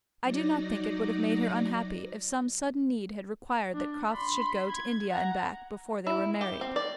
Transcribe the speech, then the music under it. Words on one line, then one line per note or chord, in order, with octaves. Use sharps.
I do not think it would have made her unhappy if some sudden need had required that Crofts should go to India and back before they were married.
F#3 D#4 D5 A#6
D4
B5 C6
G#6
F#5 A#5
E4
G4
C4
D5